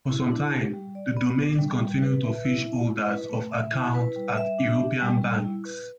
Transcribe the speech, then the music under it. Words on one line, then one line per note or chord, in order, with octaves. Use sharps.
For some time the domains continued to phish holders of accounts at European banks.
E4
D4
G4
G3
D5
B3
D4
G3
G3
B4
E5
E4
E4
E4
B4
A3
E5
E4
B4
G3
E5
D4
G4
G3
G3
E4
B4